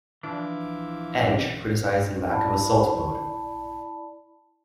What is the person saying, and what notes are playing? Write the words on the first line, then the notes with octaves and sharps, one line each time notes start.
"Edge" criticized the lack of Assault mode.
E3 F3 D4 E4 D6
E4 D5 A5 B5